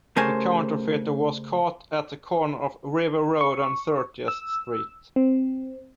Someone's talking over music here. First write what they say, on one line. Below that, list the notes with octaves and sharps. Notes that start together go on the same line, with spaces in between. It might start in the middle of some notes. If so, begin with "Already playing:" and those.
The counterfeiter was caught at the corner of River Road and Thirtieth Street.
C#3 A3 G4 A#4 C5 G#5
C#6
E6
C4